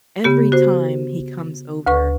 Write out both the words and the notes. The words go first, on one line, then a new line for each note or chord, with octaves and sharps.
every time he comes over
C#3 B3 G4
F#4 C5
D2 B4 C#6